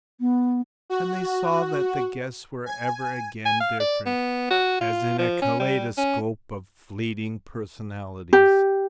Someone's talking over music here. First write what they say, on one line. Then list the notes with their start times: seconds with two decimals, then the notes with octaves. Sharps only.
And they saw that the guests were ever again different, as in a kaleidoscope of fleeting personalities.
0.20 B3
0.90 F#4
2.66 G#5
3.46 G#5
3.60 F5
3.80 D5
4.06 B3
4.50 F#4
4.81 F4
5.19 F3
5.42 C#4
5.60 G3
5.97 C#4
8.33 G4